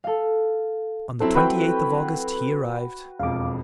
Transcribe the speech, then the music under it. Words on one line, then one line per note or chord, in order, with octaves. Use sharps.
On the twenty-eighth of August he arrived.
A4 F5
F#3 C4 E4 A4
F#4 B4 G5
E1 F2 F5 D6